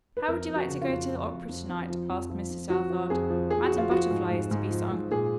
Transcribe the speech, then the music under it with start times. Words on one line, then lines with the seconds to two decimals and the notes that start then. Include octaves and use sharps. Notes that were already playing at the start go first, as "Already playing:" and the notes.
"How would you like to go to the opera to-night?" asked Mr. Southard. "'Madame Butterfly' is to be sung."
0.17 B4
0.28 F2 A#4
0.48 F2
0.56 F#4
0.68 C#3
0.82 F4
0.89 F2
1.09 F2
1.29 F2
1.49 F2
1.69 F2
1.90 F3
2.09 F2
2.30 F3
2.50 F2
2.69 F3 F#4
2.90 F3
3.10 F2 G#4
3.30 F3
3.50 F3 G#4
3.64 F#4
3.71 F3
3.78 F4
3.90 F3 F#4
4.11 G#2
4.31 G#2
4.51 G#2
4.71 F3
4.91 G#2
5.11 A#2 G#4